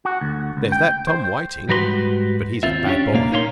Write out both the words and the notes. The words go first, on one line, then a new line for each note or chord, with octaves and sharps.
There's that Tom Whiting, but he's a bad boy.
F#4
D2
C#2
G5
C5
G#2 G3 F#4 B4 B5 C6
D#2 C4 F4 E5
C#4 D4 F4 G4 C5 C#5
C2 A#2 A#3 F5
D#4 A#4 C#5 F5 A#5 C6